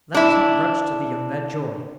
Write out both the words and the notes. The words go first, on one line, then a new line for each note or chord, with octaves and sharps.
Let us not grudge to the young their joy.
D4 E4